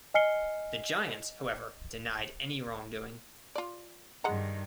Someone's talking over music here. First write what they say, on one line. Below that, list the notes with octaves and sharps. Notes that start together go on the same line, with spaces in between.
The Giants, however, denied any wrongdoing.
D#5 G#5 F6 C7 C#7 G7
F4 D5
G2 D#3 G#3 F#5 A#5